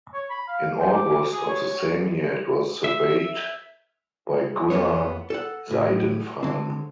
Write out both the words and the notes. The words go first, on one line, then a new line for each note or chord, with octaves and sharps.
In August of the same year it was surveyed by Gunnar Seidenfaden.
C#5
B5
F5
C5
D6
G#4
C#5
E5
F2 F3 A#3 B3 C#5
A4 F#5
A2
D3 C4